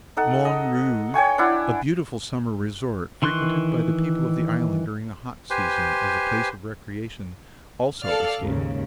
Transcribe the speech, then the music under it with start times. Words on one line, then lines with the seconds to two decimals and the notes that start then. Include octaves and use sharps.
Morne Rouge, a beautiful summer resort, frequented by the people of the island during the hot season as a place of recreation, also escaped.
0.17 D#4 A4 F#5
0.45 D#5
1.14 C#5 G5 G#5 C#6
1.38 D4 E4 F#5
3.22 D#3 E3 C6 C#6 F#6
5.50 G4 B4 C5 G#5 C6
8.03 A4 D5 F5 F6
8.41 D#2 G#2 C#3